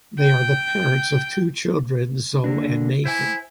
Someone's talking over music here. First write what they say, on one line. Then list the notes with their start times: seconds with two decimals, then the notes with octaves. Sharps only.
They are the parents of two children, Zoe and Nathan.
0.20 G5
2.44 D3 A#3 D4
3.05 E4 C5 G5 G#5